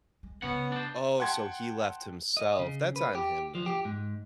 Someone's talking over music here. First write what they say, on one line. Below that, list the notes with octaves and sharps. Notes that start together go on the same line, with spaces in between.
Oh, so he left himself, that's on him, then.
G#3
C#3 G#3 B3 C#4 F#5
D4 C5
F#5 G5 A5 C6 G#6
D#5
C#3
B4
G4
F3
G4
G#2